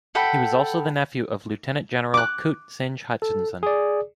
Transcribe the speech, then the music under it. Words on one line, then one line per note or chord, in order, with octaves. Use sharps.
He was also the nephew of Lieutenant General Coote Synge-Hutchinson.
A4 F#5 G5 B5
D6 F#6
A4
G#4 D5